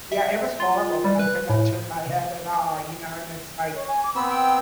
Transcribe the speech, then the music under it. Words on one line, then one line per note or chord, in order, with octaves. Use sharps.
Yeah, it was horrible when I could not turn my head at all, you know, and it's like
E5
F4
G3
B4
A2
C#5
G#5
D6
B3 C4 B5 E6
G5